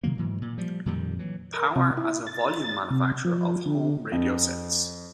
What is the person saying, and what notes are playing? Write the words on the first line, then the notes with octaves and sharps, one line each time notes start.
Power as a volume manufacturer of home radio sets.
C3 D#3 F#3 A#3
G#2 E3 F#3
A#2
F3 G3
F2 A#2 D#3 G3
E3 F#3
A#4
C3
E4
A6
C3
F3
D3
F2